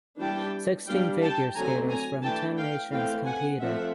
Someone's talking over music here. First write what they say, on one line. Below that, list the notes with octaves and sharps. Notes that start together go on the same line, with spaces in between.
Sixteen figure skaters from ten nations competed.
E3 G3 B3 D4 G5 A5
G3 B3 D4 F5 G5
G5 A5
D3 F#3 A3 C4 G#5 A#5
G#5 A#5
E3 A3 D4 G5 A5
F5 G5
E3 A3 C4 F5 G5
F#5 G#5
F3 A3 C4 E5 F#5